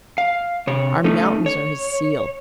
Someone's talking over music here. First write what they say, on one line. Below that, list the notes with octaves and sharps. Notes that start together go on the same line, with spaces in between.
Our mountains are his seal.
F5
C3 C#5
A3 C#4 D#4
C#5